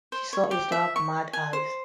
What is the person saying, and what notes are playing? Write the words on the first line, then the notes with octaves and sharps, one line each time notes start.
She saw his dark, mad eyes.
C5
C#5
G4
E5
C#6
G#5
C5